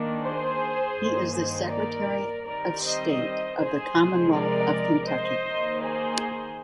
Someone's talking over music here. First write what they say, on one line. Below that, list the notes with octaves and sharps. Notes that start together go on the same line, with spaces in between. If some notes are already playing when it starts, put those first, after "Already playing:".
He is the secretary of state of the Commonwealth of Kentucky.
Already playing: D#3 A#3 D4
G#4 C5
G2 D#3 A#3 D#4
G#4 C5
A#4 D5
D#3 G3 C4 D#4 A#4 D5
C5 D#5
G#4 C5
C3 F3 G#3
A#4 D5
C5 D#5
D#3 A#3 D#4
G#4 C5